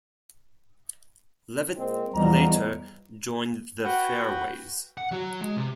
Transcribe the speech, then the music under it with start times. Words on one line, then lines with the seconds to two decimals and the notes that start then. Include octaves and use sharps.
Leavitt later joined The Fairways.
1.75 A#2 G#3 C4
2.14 E2 F3 G3 D#5 A#5
3.84 F#4 B4 F#5 G5
4.98 F#5
5.11 F#3 F#4
5.42 G#3
5.56 C3